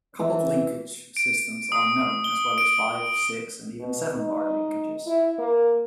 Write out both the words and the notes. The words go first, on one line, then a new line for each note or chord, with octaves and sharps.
Coupled linkage systems are known, as well as five-, six-, and even seven-bar linkages.
E3
D7
D#6
G7
D7
B2
D#4
E4
A#3